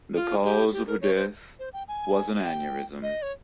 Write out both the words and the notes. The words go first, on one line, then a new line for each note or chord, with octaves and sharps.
The cause of her death was an aneurysm.
F4
G4
G4
A#4
C#5
C5
C5
G5
G#5
G5
D#5
C#5